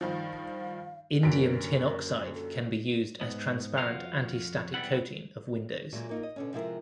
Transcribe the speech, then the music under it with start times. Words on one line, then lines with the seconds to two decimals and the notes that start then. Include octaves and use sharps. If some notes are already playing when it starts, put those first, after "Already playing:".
Indium tin oxide can be used as transparent antistatic coating of windows.
0.01 G2 D#3 F3 F5
1.23 F#2 A#2 D3 A#4 B6 D7
2.35 A4
3.21 G#2 B3
3.78 F2 F4 F#4 F5
4.74 B1 E2 G3 B3 E4 F#5
5.93 A#2 E3 F#3 G#3
6.09 A#3 D#4 F4
6.23 D#5
6.36 B2 D3 C#4
6.53 C3 F3 G#3 E4 A#4